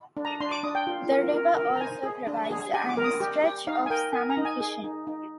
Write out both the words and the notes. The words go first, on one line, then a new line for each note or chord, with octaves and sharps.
The river also provides an stretch of salmon fishing.
D4
A#5
D4 C6
D6
D4 D#6
G5
F4
A#4
A#4
A#4
A#5
C5 G#5
G#4
D4
G#4
G4 G#5
D6
A#4
D#6
G4
G4
D#4 F5
G#5
A#4 G5
A#4 G#5
A#5
D#4
G#5
G#4
D#4
D#4